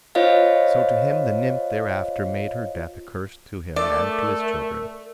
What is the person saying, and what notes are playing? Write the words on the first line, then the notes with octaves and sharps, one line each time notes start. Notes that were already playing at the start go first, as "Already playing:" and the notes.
So to him the nymph thereafter made her death a curse, to him and to his children.
F4 C5 C#5 D#5 F5
A3 A#4 D5